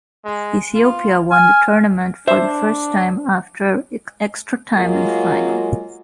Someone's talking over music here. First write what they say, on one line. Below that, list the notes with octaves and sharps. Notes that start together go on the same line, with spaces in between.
Ethiopia won the tournament for the first time after extra time in the final.
G#3
F4
G#5 F6
D4 C5 E5
F#3 G#3 A#3 F4